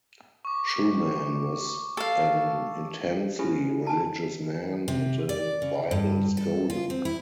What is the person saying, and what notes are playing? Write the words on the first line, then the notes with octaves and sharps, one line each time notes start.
Schuman was an intensely religious man and a Bible scholar.
C#6 D6
A4 F5
C#4 E4 G4
G#5 A5
C3
D5
C#3
G2
A4
F4
C4
E4